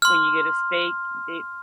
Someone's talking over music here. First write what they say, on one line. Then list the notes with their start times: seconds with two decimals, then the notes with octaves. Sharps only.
when you get a steak, it
0.02 C6 F6